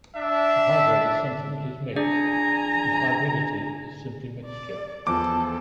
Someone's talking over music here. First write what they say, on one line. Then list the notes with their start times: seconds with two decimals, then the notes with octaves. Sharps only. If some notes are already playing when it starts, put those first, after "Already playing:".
A hybrid is something that is mixed, and hybridity is simply mixture.
0.16 D4 E5
1.96 D4 G#4 D5 G#5 A#5
4.45 D5
5.07 E2 F3 A4 D6